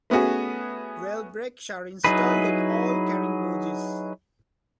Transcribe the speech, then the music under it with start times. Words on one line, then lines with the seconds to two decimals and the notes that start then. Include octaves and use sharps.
Rail brakes are installed on all carrying bogies.
0.10 A3 B3 C#4 F#4 G#4
2.04 F#3 D#4 E4 G#4 B4